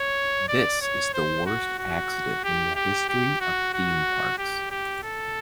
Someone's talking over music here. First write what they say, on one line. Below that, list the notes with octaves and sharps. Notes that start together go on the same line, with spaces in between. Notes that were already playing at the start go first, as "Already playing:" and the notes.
This is the worst accident in the history of theme parks.
Already playing: C#5
D5
C#5
C5
F#4
F#4
G4
G4
G4
F#4
F#4
G4
G4
A4